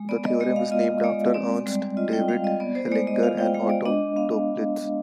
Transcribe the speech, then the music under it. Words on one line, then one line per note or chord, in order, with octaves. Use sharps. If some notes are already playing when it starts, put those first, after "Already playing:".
The theorem is named after Ernst David Hellinger and Otto Toeplitz.
Already playing: G#3
B3 D5
D#5
G#3 D#5
F5
F4 D#5
G#3 D5
C4 D5
G3
F4 D#5
G5
G3 F5
D#5
B3 D5
C5
G#3 D5
D#5
F4 F5
G5
G#3 F5
D5
D4 D#5
B3 F5